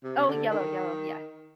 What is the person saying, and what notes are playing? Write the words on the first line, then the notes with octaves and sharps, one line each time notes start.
Oh, yellow, yellow, yes.
C3
C3
D3
D#3